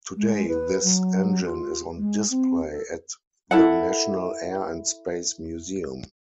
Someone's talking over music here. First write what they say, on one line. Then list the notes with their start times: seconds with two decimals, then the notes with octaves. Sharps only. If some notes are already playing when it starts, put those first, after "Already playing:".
Today this engine is on display at the National Air and Space Museum.
0.16 G#3
0.47 B4
0.82 F#3
1.43 F4
1.97 G#3
2.30 C4
2.70 A4
3.51 E4 A4 F#5